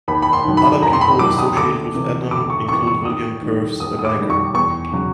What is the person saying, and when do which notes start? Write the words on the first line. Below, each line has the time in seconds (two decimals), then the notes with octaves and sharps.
Other people associated with Ednam include William Purves, a banker.
0.08 D#2 B5
0.22 B5
0.33 C6
0.45 D#3 F#3
0.57 B5
0.82 D#2 A#5
0.93 C6
1.01 B5
1.19 D#3 F#3 D6
1.38 D#6
1.57 D2 D6
1.94 C3 E3
2.31 D2 D6
2.50 C#6
2.68 C3 E3 C#6
2.87 C#6
3.05 D#2 D#6
3.43 D#3 G3
3.80 D#2 D#6
3.99 D#6
4.05 D6
4.18 D#3 G3
4.30 C#6
4.54 E2 C#6
4.92 C#3 F#3